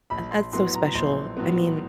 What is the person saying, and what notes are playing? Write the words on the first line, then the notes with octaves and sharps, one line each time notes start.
Uh, that's so special. I mean
A#1 B5
C6
A2 F#3 B3 C6
A#5
A#1 C6
A2 F#3 B3